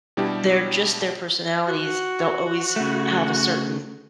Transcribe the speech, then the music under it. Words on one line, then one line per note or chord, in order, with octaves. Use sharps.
they're just their personalities, they'll always have a certain,
B2 G3 D4 E4 G4
F#4
C#3 A3